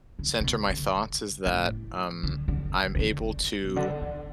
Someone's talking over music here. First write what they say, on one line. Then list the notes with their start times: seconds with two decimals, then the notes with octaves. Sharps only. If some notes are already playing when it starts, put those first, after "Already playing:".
center my thoughts is that, um, I'm able to
0.19 D3
0.40 D3
0.44 B2
0.69 D3
1.46 A2
2.23 D3
2.48 D3
2.95 E3
2.99 D3
3.65 B2
3.76 D3
4.01 E3